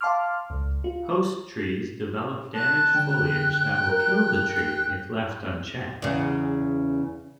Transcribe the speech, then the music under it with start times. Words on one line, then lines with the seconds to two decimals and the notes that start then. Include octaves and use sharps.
Host trees develop damaged foliage that will kill the tree if left unchecked.
0.01 F5 A5 C6 D6 F6
0.50 C#2
0.84 F4
2.54 A5 F#6
2.95 D3 G5
3.90 A#4
6.02 E2 C#3